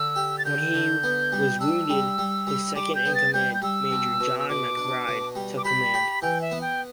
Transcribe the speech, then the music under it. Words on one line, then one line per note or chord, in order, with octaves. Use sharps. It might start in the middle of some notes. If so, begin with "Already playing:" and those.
When he was wounded, his second-in-command, Major John MacBride, took command.
Already playing: D3 E6
G4
A6
D3 G6
D3
B3
G3
D4 E6
G3
G3
G3
G3 D6
G6
B3
A6
G3 G6
G6
G3 E6
B2
B2
E6
B2 D6
D4
B2
G3
D6
G4 B5
G4
E3 G5
E5
B3
G5